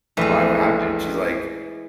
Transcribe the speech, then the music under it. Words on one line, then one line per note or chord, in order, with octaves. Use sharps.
why, what happened?" and she's like,
A#1 E3 G#3 A3 E5